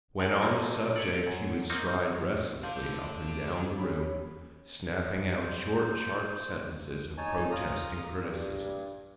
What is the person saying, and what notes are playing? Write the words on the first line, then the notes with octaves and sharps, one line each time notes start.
When on the subject he would stride restlessly up and down the room, snapping out short, sharp sentences of protest and criticism.
F#2 A#4 D5
A1 F3 A3 A#3
E4 C#5 D5
F#2
A#3 C4 C#4 D#4
A4 D5 F5 C6 G6
D7
C#4 B5
C5
D#4 C#5 G#5 A5
F4 A#5 D#6
G2